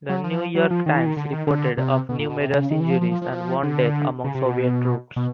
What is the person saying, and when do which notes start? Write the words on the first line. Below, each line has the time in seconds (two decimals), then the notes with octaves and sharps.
"The New York Times" reported of numerous injuries and one death among Soviet troops.
0.09 F#3
0.24 F3
0.55 F#3
0.71 F3
0.86 D#3
0.96 E3
1.06 D#3
1.17 D3
1.32 D#3
1.47 D3
1.78 C3
2.09 B2
2.20 A#2
2.29 B2
2.40 C3
2.51 C3
2.55 C#3
2.71 D#3
2.80 E3
2.90 F3
3.01 F3
3.11 F3
3.22 F3
3.32 F3
3.63 D3
4.24 C#3
4.35 C3
4.45 B2
5.16 B2